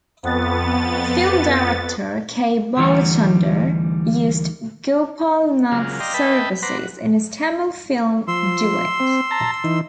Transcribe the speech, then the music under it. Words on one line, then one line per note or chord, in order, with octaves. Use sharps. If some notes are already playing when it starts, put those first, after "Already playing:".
Film director K. Balachander used Gopalnath's services in his Tamil film "Duet".
F2 B3 A6
D2 E3 G3 D#4 F#5
C#3 F#3 G#3 A#3 F4
D5 D#5 F5 G5 A#5 C6
B4 D#5 E5 G5 A5 B5
B4 C5 F#5 A#5 C6 D6
F#4
F3 C6 E6
C4
A5 A#5
E3 D#4